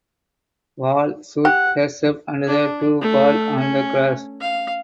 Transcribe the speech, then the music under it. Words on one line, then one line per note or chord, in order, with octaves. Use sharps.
Val shoots herself and the two fall on the grass.
G4 F#5
D4
A3
C#4
F5